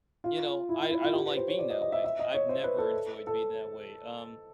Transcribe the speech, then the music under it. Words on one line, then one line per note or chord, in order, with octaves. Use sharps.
you know, I I don't like being that way. I've never enjoyed being that way. Um,
F4
E4
F4
E4
F4
G4
B4
C5
C#5
D5
D#5
D#5
E5
E5
D#5
C#5
C5
B4
A4
A4